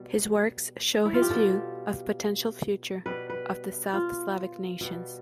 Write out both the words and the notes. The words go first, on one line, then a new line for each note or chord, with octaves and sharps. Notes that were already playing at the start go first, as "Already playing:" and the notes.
His works show his view of potential future of the South Slavic nations.
Already playing: B2 G3
E4
F4
G4
B2 G3 A4
B2 G3 B4
B4
F4
B2 G3